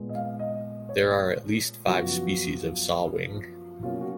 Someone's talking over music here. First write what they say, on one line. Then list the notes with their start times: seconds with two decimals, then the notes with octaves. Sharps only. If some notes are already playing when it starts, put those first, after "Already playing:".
There are at least five species of saw-wing.
Already playing: A#2 G#3 B3
0.09 D#5
0.15 F5
0.39 D#5
0.89 C#5
1.87 F#2 F3 B3 F#4
3.83 B2 F#3 A#3 C#4 F4
4.01 F#4